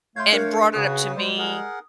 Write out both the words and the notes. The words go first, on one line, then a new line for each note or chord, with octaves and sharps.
and brought it up to me
A2 A3 C#5 F5 C6 G6 G#6
D4 A#4 C#7
C#3 F#4 G#4 B4 D#6
G3 G#3 C5
G#4 A#4 F#5